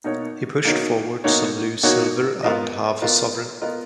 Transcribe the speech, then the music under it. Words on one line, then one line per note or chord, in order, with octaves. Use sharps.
He pushed forward some loose silver and half a sovereign.
B2 A#3 D#4 F#4 C#5
B2 A#3 D#4 F#4 C#5
B2 A#3 D#4 F#4 C#5
B2 A#3 D#4 F#4 C#5
B3 F4 A#4 D#5
B3 F4 A#4 D#5
B3 F4 A#4 D#5